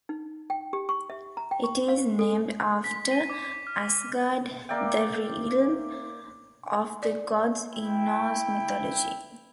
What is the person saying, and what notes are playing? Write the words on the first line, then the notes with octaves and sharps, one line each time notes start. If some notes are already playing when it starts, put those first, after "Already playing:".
It is named after Asgard, the realm of the gods in Norse mythology.
D#4
G5
G4
C#6
E5
A#5
G5
C#6
F5
A4
B6
D#7
D6
F6
A#3 D5 E5 G5
D5
E4 G5